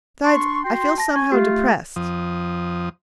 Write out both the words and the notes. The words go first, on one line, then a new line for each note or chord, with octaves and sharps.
"Besides I feel somehow depressed."
D4 C6 C#6
F#4 G5 C6
A5 A#6
G#5 C#6
A3 F4 G4
F2 F3 D#6